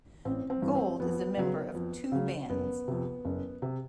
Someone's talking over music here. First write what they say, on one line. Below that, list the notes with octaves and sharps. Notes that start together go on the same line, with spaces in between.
Gold is a member of two bands.
A1 C4
C4
G2 E3
C4
F2 B3
C#3 F#3
F2
C#3 F#3
F#1 B3
F2 C3
F#1
C3